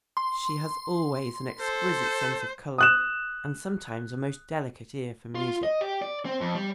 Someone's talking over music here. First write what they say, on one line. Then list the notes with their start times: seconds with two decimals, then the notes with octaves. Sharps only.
She has always an exquisite sense of colour and sometimes a most delicate ear for music.
0.17 C6
1.60 A4 C5
2.78 D#6 F#6 E7
5.35 F4
5.63 D#5
5.81 G4
6.02 D5
6.25 C4
6.41 F2
6.55 G3